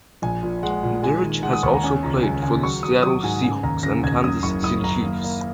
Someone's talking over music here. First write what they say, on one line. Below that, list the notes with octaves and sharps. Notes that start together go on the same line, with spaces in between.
Darche has also played for the Seattle Seahawks and Kansas City Chiefs.
A#1 G#5
A#2
G#3 F#5
A#2
G#3 G#5
D#3
G#3 F#5
D#6
D#2 C#6
A#5
C#4 G#5
C#2 A#5
C#2 G#5
C#3 G#5
F#3 C#6
F#3 D#6
F#3 D#6
G#2 G#5
C#3 G#5
D#2 A#5
C#3 A#6
D#2 G#6
F#2 D#6
F#1 C#6
F#1 D#6
F#1 A#5
A#3
A#3